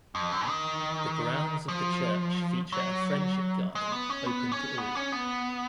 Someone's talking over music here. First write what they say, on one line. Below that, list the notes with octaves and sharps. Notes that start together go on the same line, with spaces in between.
The grounds of the church feature a friendship garden open to all.
F2
F#2
D#3
F3
F#3
G#3
B3
C#4
B3
C#4
B3
C#4
B3